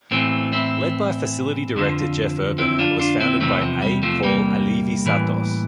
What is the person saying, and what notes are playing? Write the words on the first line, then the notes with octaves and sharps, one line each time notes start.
Led by Facility Director Jeff Urban and was founded by A. Paul Alivisatos.
A2 E3 A3 C4
C4 E4
F2 D3 F3
C4 E4
D4 F4
D4 F4
C4 E4
E2 C3 E3 A3 C4
F3
G3
F3 A3
G3 A#3
A2 E3